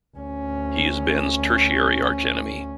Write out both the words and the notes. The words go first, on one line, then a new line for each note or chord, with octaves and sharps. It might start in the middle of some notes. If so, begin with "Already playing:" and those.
He is Ben's tertiary archenemy.
D2 C#4